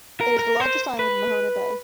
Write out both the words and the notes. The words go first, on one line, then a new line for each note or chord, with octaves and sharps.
It is the largest island in Mahone Bay.
A#4
A#4
C5
B4